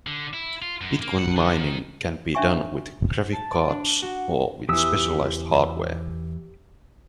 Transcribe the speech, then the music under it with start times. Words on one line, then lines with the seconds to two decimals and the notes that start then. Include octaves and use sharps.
Bitcoin mining can be done with graphic cards or with specialized hardware.
0.07 D3
0.33 E4
0.62 F4
0.81 F#2
1.02 A#3
1.19 F#5
1.37 D3
1.58 D#3
2.35 C#4 D4 E5 G#5 C#6
3.33 A5
3.52 D5
3.69 D4
4.02 F#4
4.69 E2 E3 G4 D#6 E6